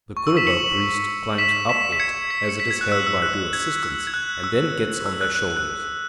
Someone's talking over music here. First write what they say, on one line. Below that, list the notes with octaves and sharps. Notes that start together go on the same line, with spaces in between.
The Kuruba priest climbs up it, as it is held by two assistants, and then gets on their shoulders.
C#6
E6
B6 E7
C#7 F#7
B6 E7
B6 E7
B6
G#6 C#7
B6
C#7
B6
G#6
F#6
E6
E6
F#6
G#6
E6
G#6
F#6
E6
E6
F#6
F#6
F#6